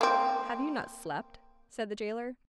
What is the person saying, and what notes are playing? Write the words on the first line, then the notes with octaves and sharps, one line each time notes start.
"Have you not slept?" said the jailer.
A#3 C4